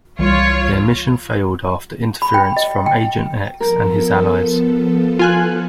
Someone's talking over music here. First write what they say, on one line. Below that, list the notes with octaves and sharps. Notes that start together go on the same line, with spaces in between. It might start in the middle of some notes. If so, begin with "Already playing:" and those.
Their mission failed after interference from Agent X and his allies.
C2 E3 G3 F4 C#5
B5
G5
D#5
G5
F3 B3 A4 A#4
F4 G#5 F#6